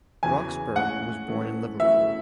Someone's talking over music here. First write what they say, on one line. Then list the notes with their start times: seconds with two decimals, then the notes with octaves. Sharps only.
Roxburgh was born in Liverpool.
0.23 E2 C#3 F#3 G#5
0.75 A2 G#3 C#4 F#5
1.27 G#2 E3 A3 C#4
1.80 F#2 E3 A3 C#4 E4 E5